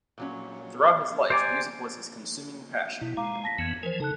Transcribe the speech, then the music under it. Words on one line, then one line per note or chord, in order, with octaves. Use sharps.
Throughout his life, music was his consuming passion.
A#2 F#3 C#4
G4 C5 D5 G#5 A#5
B2 E4
G#3 F5 A#5 D6
A5 A#6 B6
F2 E3 B3 G#6 C#7
E3 F3 A#4 C5 G#5
C#3 D#4 A4 A5 F#6